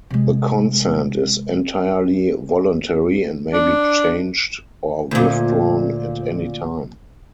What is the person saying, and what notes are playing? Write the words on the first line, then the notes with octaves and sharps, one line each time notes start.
The consent is entirely voluntary and may be changed or withdrawn at any time.
C3 G#3
D4
D2 A#2